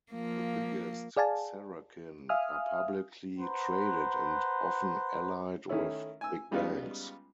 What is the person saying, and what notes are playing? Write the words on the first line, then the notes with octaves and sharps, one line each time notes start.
The biggest "sarakin" are publicly traded and often allied with big banks.
F3 A#3
G#4 D5 F5 G#5 A5
E5 F5 G#5 D#6 F6
B4 C5 F#5 A#5
D#3 A3 C#4 E4
G#5 E6
C#3 G3 G#3 B3 D#4 F4